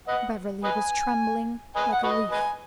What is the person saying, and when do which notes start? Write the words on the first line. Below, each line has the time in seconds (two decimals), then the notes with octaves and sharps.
Beverly was trembling like a leaf.
0.08 B4 D#5 F#5
0.64 B4 D#5 G#5
1.76 B4 D#5 G#5
1.92 F#5
2.03 F#4 B4 D#5
2.31 B4 D#5 G#5